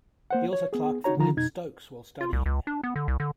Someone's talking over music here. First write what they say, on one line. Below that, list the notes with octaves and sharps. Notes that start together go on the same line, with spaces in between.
He also clerked for William Stokes while studying.
A#3 C5 F#5
C#5
B3 G#4
D#4 F#4 C#5 A#5
D3 D#3 F3 F4 A#5
F2 B2 D#4 G#6
F4
C2
C#2
D4
B3
D3
C2
D3